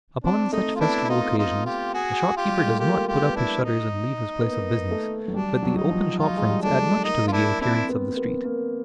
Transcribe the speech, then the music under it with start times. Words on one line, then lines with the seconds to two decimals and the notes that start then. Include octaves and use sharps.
Upon such festival occasions the shopkeeper does not put up his shutters and leave his place of business, but the open shop-fronts add much to the gay appearance of the street.
0.24 C4 D4
0.52 A3 D#4
0.76 F4
0.80 B3 D4 E4
1.04 E4
1.09 B3 D#4 F4
1.38 D#4 F4
1.65 F4 G4
1.94 F#4 G#4
2.37 F4 G4
2.47 G3
2.58 G#3
2.68 A3
2.79 A#3 F4 G4
3.07 A#3 F4 G4
3.22 B3
3.35 D4 E4
3.64 D#4
4.40 B3
4.49 A#3
4.91 A3
5.28 F#3
5.34 G3 D4
5.63 F#3
5.76 D#4
5.91 F3
6.18 F#3 D#4 F4
6.37 G#3
6.48 G3
6.62 A3 D4
6.76 G#3
7.04 A#3 D#4
7.27 F4
7.32 A#3 D4 E4
7.61 C4 D4 E4
7.89 B3
8.11 A#3
8.17 B3
8.45 A#3